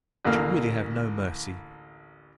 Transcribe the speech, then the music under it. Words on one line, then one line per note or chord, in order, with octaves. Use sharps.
But you really have no mercy.
A1 D2 A#3 F6